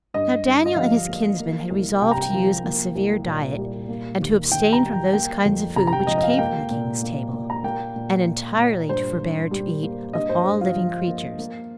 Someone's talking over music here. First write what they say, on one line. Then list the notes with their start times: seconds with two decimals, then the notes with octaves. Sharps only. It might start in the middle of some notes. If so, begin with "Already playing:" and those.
Now Daniel and his kinsmen had resolved to use a severe diet, and to abstain from those kinds of food which came from the king's table, and entirely to forbear to eat of all living creatures.
0.14 G2 D#5
0.46 G2
0.66 D#5
0.76 F3 F5
1.08 A#3
1.39 A#3
1.70 C2
2.01 C3 G5
2.11 A#5
2.22 G5
2.32 F3
2.64 A#3
2.95 C2
3.26 A#2
3.58 G3
3.89 A#3
4.20 D#2
4.51 D#3 G5
4.73 A#5
4.83 G3
4.93 G5
5.13 A#3 G5
5.45 F2
5.76 C3 A#5
5.87 A#5
5.93 G5
6.07 F3 D#5
6.18 D#5
6.23 F5
6.38 A#3 G5
6.71 A#2
7.02 A#3
7.33 A#2
7.50 A#5
7.64 A#3 G5
7.96 A#2
8.27 A#3
8.57 A#2
8.89 G2 C5
9.20 G2
9.51 G3
9.83 A#3
10.13 G2 D#5
10.29 C5
10.45 G2
10.61 F4
10.76 F3
11.08 A#3
11.39 A#3